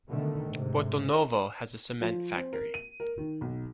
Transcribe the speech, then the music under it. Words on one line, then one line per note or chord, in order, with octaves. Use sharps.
Porto-Novo has a cement factory.
B2 D3 D#3 A3
G#2 C3
F3
C4
A#4
D#7
A#4
D#3
B1